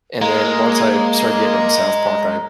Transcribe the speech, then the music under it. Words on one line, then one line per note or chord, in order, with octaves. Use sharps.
and then once I started getting into South Park, I
G#3 A#3 A#5